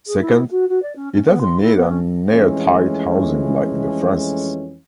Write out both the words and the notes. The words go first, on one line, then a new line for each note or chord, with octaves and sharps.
Second, it doesn't need an airtight housing like the Francis.
G#4
E4
F#4
F#4
D5
C#4
C#4
B3
C6
E4
B3
C#4
F2 E3 G#3 A3 C#4